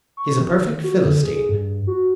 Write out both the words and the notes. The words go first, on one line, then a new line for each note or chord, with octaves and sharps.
"He's a perfect philistine."
C#6
D#3
F#4
D3
G#4
G2
F#4